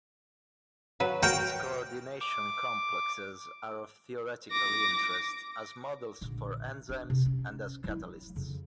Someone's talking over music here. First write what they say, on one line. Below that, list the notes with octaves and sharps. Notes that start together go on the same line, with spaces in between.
Its coordination complexes are of theoretical interest as models for enzymes and as catalysts.
F#3 B4
F#4 A#4 G5
D6
D6 A#6
A#1 D3
D4
C3
C#4
F#3 E4
F2 C#3